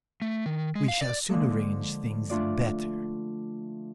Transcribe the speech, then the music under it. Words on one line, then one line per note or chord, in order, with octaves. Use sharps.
We shall soon arrange things better.
A3
D#3
G#3
F5
D5
D3 F3 G#3 A#3 A4
A3 D4 F4 D5